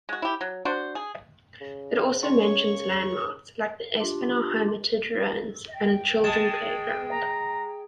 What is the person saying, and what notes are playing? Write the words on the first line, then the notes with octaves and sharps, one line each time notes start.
It also mentions landmarks like the Espinar Hermitage Ruins and a children playground.
G#3 F#4
E4 G4
F#3
D4 F#4 C5
G#4
C#3
C#4 C#5 G5 C6 C#6
D4 F4 G4
G5
G#3 A5
A#5